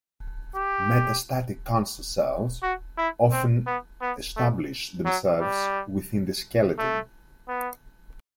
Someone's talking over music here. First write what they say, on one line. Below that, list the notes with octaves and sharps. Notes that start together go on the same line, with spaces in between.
Metastatic cancer cells often establish themselves within the skeleton.
G4
F#4
E4
C4
B3
B3
A3
F#3
G3
A3
B3